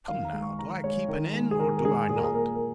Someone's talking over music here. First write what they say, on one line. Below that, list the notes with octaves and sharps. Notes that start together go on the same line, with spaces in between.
Come now, do I keep an inn, or do I not?
D#3 F5
A#5
G#3
C#6
D#3 A#5
G#3 C#5
D#3 A#4
G#3
G#4
D#3 A#4
A#4
G#3 G#4
A#2 G#4
A#4
G#4
A#3 A#4
A#4